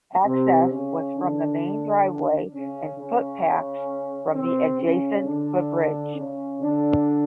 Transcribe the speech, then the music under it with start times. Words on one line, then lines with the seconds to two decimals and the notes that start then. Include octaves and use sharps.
Access was from the main driveway and footpaths from the adjacent footbridge.
0.25 C3 C4
0.70 C#3 C#4
1.16 D3 D4
2.52 C#3 C#4
2.97 C#3 C#4
4.33 C3 C4
4.79 C#3 C#4
5.24 D3 D4
6.15 C#3 C#4
6.60 D3 D4